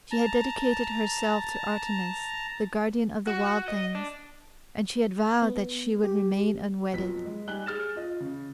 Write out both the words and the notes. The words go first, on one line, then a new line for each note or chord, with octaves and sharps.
She had dedicated herself to Artemis, the guardian of the wild things, and she had vowed that she would remain unwedded.
A5 A#5
F#4
D#5
D4
B3
G4
F2 B2 F#3 B6
G#3
G3 D#4 G#5 F#6 G7
G#4 F6 A6 E7
F4 D#5
C#3